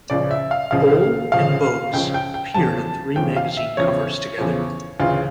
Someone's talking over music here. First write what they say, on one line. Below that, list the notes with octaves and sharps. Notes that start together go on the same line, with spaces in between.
Bol and Bogues appeared on three magazine covers together.
C#2 C#3 F3 D5
E5
F5
C#2 C#3 F3 F5
C#2 C#3 F3 F5
C#2 C#3 F3 G5
G5
G5
E2 C#3 F3 A5
E2 C#3 F3 G5
F5
E5
E2 C#3 F3 C#5
E2 C#3 F3
D2 C#3 E3 F4